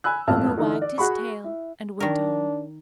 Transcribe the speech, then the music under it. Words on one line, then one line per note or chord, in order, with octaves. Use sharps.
Homo wagged his tail, and went on.
G#5 B5 E6 F#6
E1 A1 F2 F5 A5 F6
D3 E3 D#4
D5
F#4 G#4 B5 C#6
E4
D#3 D4 A#4